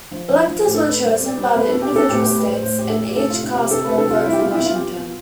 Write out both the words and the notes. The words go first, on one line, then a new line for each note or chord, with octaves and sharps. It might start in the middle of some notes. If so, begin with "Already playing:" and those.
Electors were chosen by the individual states, and each cast one vote for Washington.
F3
F3
F3 F4
A2 G4
A4
A2 B4
G3 C5
D5
B2
D5
G3 C5
B2 B4
B2 A4
G4
B2 A4
A2 G4
A2 G4
B4
A2 C5
A2 C5
A2 G4
A4
A2 G4
C3 A4
F4
C3
F4
C3 G4
C3 A4
C3 B4
A4
C3 F4
G3 E4
G4
B2 F4
E4
B2
F4
B2 G4
F4
B2